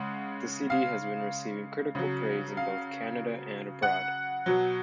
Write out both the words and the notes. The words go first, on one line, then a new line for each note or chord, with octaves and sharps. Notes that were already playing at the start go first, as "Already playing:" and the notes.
The CD has been receiving critical praise both in Canada and abroad.
Already playing: C#3 G#3 F#5
F5
C#3 F#3
F5
F#5
B2 F#3